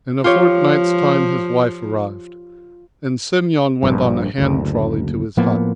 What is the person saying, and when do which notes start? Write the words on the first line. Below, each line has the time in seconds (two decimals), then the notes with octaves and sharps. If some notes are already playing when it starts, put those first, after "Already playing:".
In a fortnight's time his wife arrived, and Semyon went on a hand-trolley to his hut.
0.24 F3 F4 G4 C#5
3.83 A#1 G2
4.38 F#1 D2
5.37 A2 F3 A#3 B3